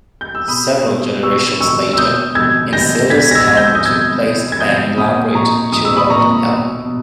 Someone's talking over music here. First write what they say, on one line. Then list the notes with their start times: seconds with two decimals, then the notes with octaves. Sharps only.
Several generations later, Isildur's helm was replaced by an elaborate jewelled helm.
0.21 G6
0.35 E6
0.48 B2 B5 D#6
0.86 B2
1.23 B2 C#6 E6
1.61 B2 C#6 E6
1.93 E6
1.98 B2 D#6 G6
2.35 B2 E6 G#6
2.73 B2 G6 A#6
3.10 B2 G#6 B6
3.31 A#6
3.35 E6 G#6
3.48 B2 G#6
3.57 G6
3.66 E6
3.75 D#6 G6
3.85 B2 E6 G#6
4.23 B2
4.52 G#6
4.60 B2 D#6 G6
4.98 A#2 B5 D#6
5.35 A#2 A#5 C#6
5.72 A#2 D#6
5.85 E6
5.97 B5 D#6
6.10 A#2 A#5 C#6
6.48 B2
6.85 B2